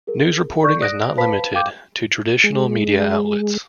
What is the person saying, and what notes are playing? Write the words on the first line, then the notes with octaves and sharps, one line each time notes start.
News reporting is not limited to traditional media outlets.
G#4 A#4
A4 D5 C#6 G6
D5 D#6 F#6 A#6 D7
B4 C5 F5 A5 B5 B6
F5 G5 D6 G6
G#3